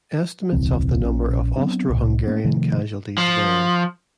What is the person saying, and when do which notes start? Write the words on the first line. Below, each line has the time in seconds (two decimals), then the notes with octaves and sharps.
Estimates of the number of Austro-Hungarian casualties vary.
0.53 D#1 C2 E3 C4
1.02 A#1 C#4
1.57 F#3 B3 C4 D4
1.89 C2 A2
2.27 A3 A#3 C#4
2.44 C3 D#3 F3 A3
3.18 F3